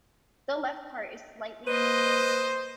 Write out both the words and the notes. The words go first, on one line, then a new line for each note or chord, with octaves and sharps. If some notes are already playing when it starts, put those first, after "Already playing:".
The left part is slightly twisted.
A#3 B4 C5 D#5